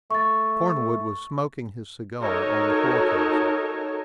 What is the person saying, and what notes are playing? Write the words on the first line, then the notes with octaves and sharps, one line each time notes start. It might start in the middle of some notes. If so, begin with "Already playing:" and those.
Cornwood was smoking his cigar on the forecastle.
A3 C#6 A6
D#4 F#4 A4 A#4 C#5